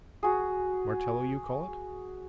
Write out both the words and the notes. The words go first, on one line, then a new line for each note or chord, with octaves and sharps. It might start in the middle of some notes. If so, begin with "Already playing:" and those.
Martello you call it?
F#4 G#4